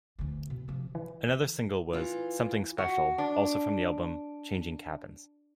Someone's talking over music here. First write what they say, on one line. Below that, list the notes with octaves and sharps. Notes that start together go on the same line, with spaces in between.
Another single was "Something Special", also from the album "Changing Cabins".
D2 E3
B2
C3 F3
E3
E3 F4
F#4
D4